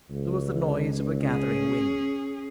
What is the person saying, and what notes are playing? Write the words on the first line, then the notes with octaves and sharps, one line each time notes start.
There was the noise of a gathering wind.
C#2
C#4 G#4